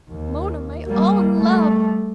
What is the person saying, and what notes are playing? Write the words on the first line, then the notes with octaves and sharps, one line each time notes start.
Mona, my own love.
D#2
G3 A#3
G3 A3